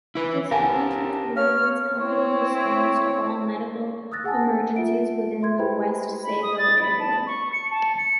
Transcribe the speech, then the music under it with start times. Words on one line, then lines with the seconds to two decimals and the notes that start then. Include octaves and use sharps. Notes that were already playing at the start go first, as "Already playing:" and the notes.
This volunteer ambulance company responds to all medical emergencies within the West Sayville area.
0.15 E4 B4
0.51 G4 A#4 F5 F#5 G#5 A5
1.36 C#5 F5 F6
1.97 C4 E4 C#5
4.12 D#6 E6 F#6 A6 A#6
4.24 G#4 F#5 G#5 A5
4.76 F4 E5 D7
5.42 E5 C6 G#6
5.58 E4 G4 B4 C5 G5 B5
6.23 B5
6.42 D#6
6.58 A6
6.81 B5
7.00 A5
7.27 C#6
7.52 C#7
7.71 A5
7.97 C#7